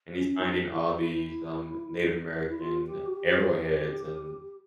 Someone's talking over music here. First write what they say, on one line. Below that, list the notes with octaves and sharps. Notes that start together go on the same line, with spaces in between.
and he's finding all these, um, Native American arrowheads and
C#4
D#4
D4
E4
E4
E4
F4
G4
F#4
G4
G4